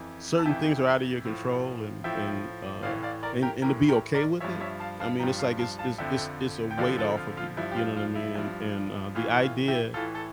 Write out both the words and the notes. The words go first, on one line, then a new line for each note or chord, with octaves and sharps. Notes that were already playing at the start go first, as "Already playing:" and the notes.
certain things are outta your control and and, uh and and to be okay with it, I mean, it's like it's it's it's it's a weight off of you, you know what I mean? And and, uh, the idea
Already playing: F2 E3
A5
F2 E3 E5 G5
A2 F3
A2 F3 E5 G5
A2 E3 D5 F5
D5 F5
A#4 D5
G4 A#4
A2 E3 G4 A#4
G4 A#4
A#4 D5
G2 F3 C#5 E5
C#5 E5
F5 A5
F5 A5
G2 F3 G5 A#5
F5 A5
F5 A5
F5 A5
F2 D3 F3 E5 G5
G5
F2 D3 F3 D5 F5
F4 A4
F4
F4
G2 F3 E4
G4
F4
F4
E4
G2 F3
A2 E3 F4
F4
E4 G4
A2 E3 F4 A4
A4